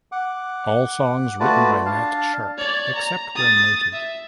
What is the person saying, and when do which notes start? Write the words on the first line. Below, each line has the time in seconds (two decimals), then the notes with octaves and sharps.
All songs written by Matt Sharp, except where noted.
0.12 F#5 D6
1.40 A3 F4 F#4 B4 D5 A5
1.86 D4 F5 A5
2.58 C#5 D5
2.95 A#5
3.35 D#6 A6
3.93 E5